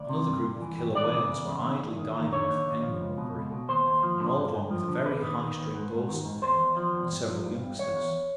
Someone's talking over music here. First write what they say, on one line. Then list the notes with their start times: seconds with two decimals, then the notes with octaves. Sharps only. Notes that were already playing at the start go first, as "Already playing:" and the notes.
Another group of killer whales were idly diving off the penguin rookery; an old one with a very high straight dorsal fin and several youngsters.
Already playing: D2 D5
0.09 C3
0.27 G2
0.44 G2
0.61 E3
0.78 G2
0.95 E3 D5
1.13 C#3
1.30 E2
1.47 C#3
1.63 D#3
1.81 E2
1.98 D#3
2.16 D#3
2.32 D3 C#5
2.50 D#2
2.66 D#2
2.84 F3
3.01 C#2
3.18 B2
3.34 C#2
3.51 B2
3.69 D#2 C5
3.86 D#2
4.03 F3
4.21 D3
4.37 G2
4.54 G2
4.71 F3
4.89 D3
5.05 D#2 B4
5.22 D#3
5.40 D#3
5.57 D#2
5.75 G#2
5.91 G#2
6.08 D#3
6.25 G#2
6.42 E2 C5
6.60 E2
6.77 F3
6.93 E2
7.11 G2
7.28 F3
7.45 G2
7.62 G2
7.79 E2 C#5
7.96 E2